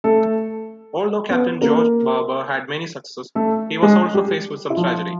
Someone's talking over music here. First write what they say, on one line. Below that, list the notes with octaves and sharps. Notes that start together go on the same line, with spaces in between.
Although Captain George Barbour had many successes, he was also faced with some tragedy.
A3 A4
B3 B4
A#3 A#4
A3 A4
G#3 G#4
G3 G4
E4
F3 F4